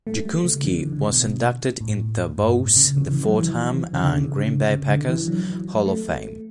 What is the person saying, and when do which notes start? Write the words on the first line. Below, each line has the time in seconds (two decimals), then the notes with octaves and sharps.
Jacunski was inducted into both the Fordham and Green Bay Packers Hall of Fame.
0.07 A3
0.25 G3
0.44 C#3
0.64 E3
0.79 D3
0.93 D3
1.08 B2
1.81 A2
2.38 G2
2.58 A2
2.76 C#3
2.97 C#3
3.11 E3
3.25 F#3
3.40 E3
3.73 E3
3.93 C#3
4.04 D3
4.17 C#3
4.70 C#3
4.89 D3
5.09 E3
5.28 F#3
5.86 A3